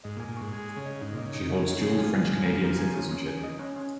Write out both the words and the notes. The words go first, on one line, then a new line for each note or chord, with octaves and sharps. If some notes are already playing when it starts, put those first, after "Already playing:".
She holds dual French-Canadian citizenship.
G#2 D#5
A#2
G#5
A#2
G#2 C#6
G#3 G#4
G#4
C#3
D#5
G#2 D#4
A#2 D#5
C#3
D#3 D#4
C#3 D#5
D#4
G#4
F3 G#5
F4
G#5
A#4
A#4
G#5
C#4
C#4
G#4
D#5
C#4
C#4